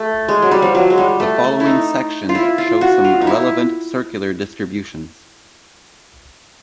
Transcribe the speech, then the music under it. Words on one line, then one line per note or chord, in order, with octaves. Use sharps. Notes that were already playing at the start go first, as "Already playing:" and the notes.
The following sections show some relevant circular distributions.
Already playing: A3
G#3
F#3
G3
F3
F#3
G#3
G3
A3
A3
E4
D#4
F4
E4
F4
F#4
F4
D#4
E4